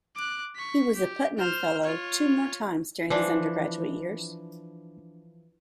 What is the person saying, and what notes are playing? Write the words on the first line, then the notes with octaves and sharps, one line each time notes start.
He was a Putnam Fellow two more times during his undergraduate years.
D6 F#6
C#6 B6
G4
C5 F6
F4 C#5
E3 F3 D4